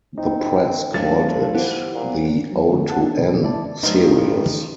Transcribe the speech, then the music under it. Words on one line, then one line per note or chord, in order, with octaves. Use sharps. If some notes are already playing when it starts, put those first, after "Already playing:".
The press called it the O-N Series.
C4 D#4
F3 F#3 A3 D4 A6
E3 B3 G4 C5
A#2
F#3
D3 F3 G#3 A3 B3
F#5 A5
D4
B2 D#3 B3
E3 E4 D5 A5
E2 G2 D#3 F3 F#3 A3 D#4 B4